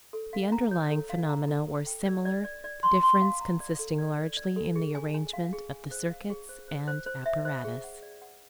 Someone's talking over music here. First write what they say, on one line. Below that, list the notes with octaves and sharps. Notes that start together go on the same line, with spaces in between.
The underlying phenomena were similar, the difference consisting largely in the arrangement of the circuits and apparatus.
A4
F5
A#5
C#5
A4
F5
A#5
A4
A4
G5
D5
D5
D5
D5
C6
C6
F5
A#5
D5
A4
D5
D5
D5
A4
G#4
G#5
G#5
F5
G#4
G#5
C5
F5
G#4
C5
C5
C5
C5
E5
C5
G#4
F#5
D5
F#5